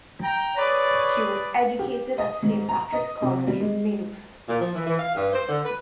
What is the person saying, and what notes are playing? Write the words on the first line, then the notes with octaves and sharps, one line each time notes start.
She was educated at Saint Patrick's College, Maynooth.
G5 A#5
G#4 B4 C#5 D5
G4
D#5
G#2
A#5
D#5
C3
G3
G#3
A#2
F3
E3
E3
F5
G2
C5
D3
B4